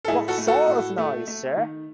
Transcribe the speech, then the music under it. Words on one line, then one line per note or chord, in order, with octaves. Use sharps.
What sort of noise, sir?
A4
A2 E4 G#4
F#4 A4
A3
F#4 A4
A2
A3
A3
D#3